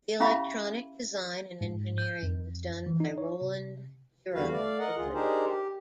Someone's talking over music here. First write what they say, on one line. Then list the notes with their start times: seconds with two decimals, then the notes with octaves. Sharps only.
The electronic design and engineering was done by Roland Europe, Italy.
0.20 C#4 E4 G4 E5 F5 B5
1.61 G#2
1.98 G6
2.23 F2
2.86 E3
3.00 D#4
3.18 C#5
3.42 C3
4.34 E2 D3 G3 F#4 B4 F5
4.52 A3 D5 F5
4.79 A#4 D#5 F#5
4.96 D2 F4 G#4
5.13 D4 D#4 G4 G#4 A#4 C5
5.46 G4